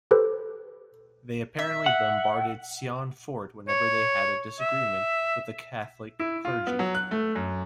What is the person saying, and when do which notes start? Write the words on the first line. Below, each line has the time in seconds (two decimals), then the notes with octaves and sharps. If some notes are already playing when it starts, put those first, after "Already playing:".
They apparently bombarded Sion Fort whenever they had a disagreement with the Catholic clergy!
0.11 G4 A4 B4 C5
1.59 E5
1.86 F#5
3.68 C#5
4.60 E5
6.19 E4
6.45 F4
6.67 B3
6.79 F#3
6.95 F#6
7.11 A3
7.35 F#2